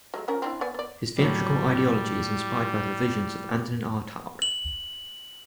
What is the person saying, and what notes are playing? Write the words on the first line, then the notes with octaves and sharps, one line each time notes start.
His theatrical ideology is inspired by the visions of Antonin Artaud.
F#3 G#3 A3
F3 C#4 A#4
C4 D4 E4
B3 D5 G#5
B3 D5
A2 F#3 G3
F#7